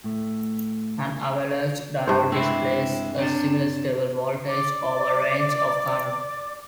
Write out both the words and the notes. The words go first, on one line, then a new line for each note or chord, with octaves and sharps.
An avalanche diode displays a similar stable voltage over a range of current.
A2 A3
G2 C5
E3 G#3 C4 E4
C3 D4
D5 D6